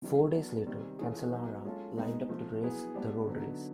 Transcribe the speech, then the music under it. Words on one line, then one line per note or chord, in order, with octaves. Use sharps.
Four days later, Cancellara lined up to race the road race.
C3 E3 G3
F#3 B3 D4
C3 D#3 G3 C4
E3 A3 C#4 F4 G#4
F#3 B3 D#4
G#3 C#4 F4 A4
B2 G#3 B3 D#4
C3 F3 A3
F#3 B3 E4 G#4
G#3 B3 D4 G4
D3 F#3 B3 D#4